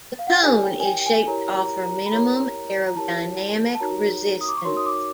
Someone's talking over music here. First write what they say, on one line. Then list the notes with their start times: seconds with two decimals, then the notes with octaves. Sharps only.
The cone is shaped to offer minimum aerodynamic resistance.
0.19 F5
0.27 F#5
0.35 G5
0.42 E4 G4 A#4 C#5 G#5
0.63 G5
0.80 G#5
0.85 G5
1.01 G5
1.06 G#5
1.27 E4 G4 A#4 C#5 A#5
1.55 A#5
1.83 A#5
2.06 B5
2.12 E4 G4 A#4 C#5 A#5
2.87 A#5
2.95 E4 G4 A#4 C#5 A5
3.75 A5
3.80 D#4 F#4 A#4 C#5 A#5
4.41 D#6
4.48 D6
4.57 C#6
4.65 D#4 F#4 A#4 C#5 C6
4.77 D#6
4.86 D6